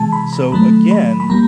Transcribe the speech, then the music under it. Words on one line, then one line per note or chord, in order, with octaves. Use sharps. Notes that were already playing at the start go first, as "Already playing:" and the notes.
So, again,
Already playing: C3 E3 G#3 A5
B5
A#5
D#3 F#3 A3 B5
B5
B5
G3 A#3 A#5